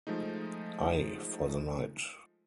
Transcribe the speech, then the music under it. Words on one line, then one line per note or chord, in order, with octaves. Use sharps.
Ay, for the night.
F3 G#3 A3 D#4